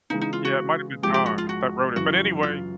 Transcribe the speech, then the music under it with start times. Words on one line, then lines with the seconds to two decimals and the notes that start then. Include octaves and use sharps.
Yeah, it might have been John that wrote it but, anyway,
0.10 C#3 E3 G#3 D#4
0.21 D#4
0.33 F4
0.45 F#4
1.03 A#1 G#2 F3 G#3 G4
1.14 G4
1.26 F#4
1.38 F4
1.49 F#4
1.96 F#2 C#3 E3 F#4
2.43 F4